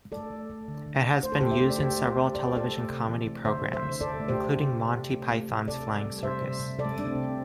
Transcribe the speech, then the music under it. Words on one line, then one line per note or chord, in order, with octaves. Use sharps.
It has been used in several television comedy programmes, including Monty Python's Flying Circus.
A3 A4 D5
A3
A3
D3
D3
D3
A3 C5
A4
D3 G4 C5
C5 E5
A3
D5
A3 G4 C5
A3
G4 C5
D3
C3 D5
C5
A3 A4 D5
A3
C3
E3
A3
D3 C5 E5
A3
C5 E5
D3
D3 A4 D5
A3
G4 C5
D3
C3
C3
C3
A3
A3
C3
C3 A4 D5
C3
G3
C3 C5 E5
C3
C3
C3 A4 D5
A3 D4
C4
C3